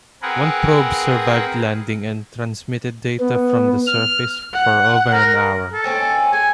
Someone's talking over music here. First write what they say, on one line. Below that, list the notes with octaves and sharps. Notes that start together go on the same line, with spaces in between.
One probe survived landing and transmitted data from the surface for over an hour.
C4 G#4 A#4 B4 F#5
B3
F6
F#5
A#4
A4
G#3 C4 C#4
G#4 G#5